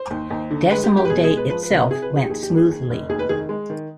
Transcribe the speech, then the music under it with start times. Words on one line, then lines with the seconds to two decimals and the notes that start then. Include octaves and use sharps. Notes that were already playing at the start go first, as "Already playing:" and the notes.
Decimal Day itself went smoothly.
Already playing: C5
0.10 D#2
0.30 D#2
0.51 D3
0.71 G#3 B4
0.84 G4
0.90 G#3
0.97 G4
1.05 B4
1.10 B2 G#4
1.23 G#4
1.30 G#3
1.37 B4
1.50 F3 B4
1.63 B4
1.70 C3
1.77 B4
1.91 C3 G#4
2.02 B4
2.10 F3
2.16 G#4
2.23 G4
2.30 D#2 G#4
2.43 G4
2.50 D#2
2.57 G#4
2.69 D#2
2.90 F1
3.09 D#2 G#4
3.19 B4
3.29 D#3 G#4
3.49 G#3
3.70 D#3